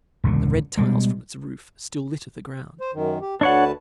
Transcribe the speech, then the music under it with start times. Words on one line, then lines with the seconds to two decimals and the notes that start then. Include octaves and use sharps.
The red tiles from its roof still litter the ground.
0.24 E1 C#2 A2 D3
0.77 B2 G3 G#3
2.81 C5
2.94 F#2 D#3
3.21 G4
3.41 D2 D4 B4 C#5 F#5 A5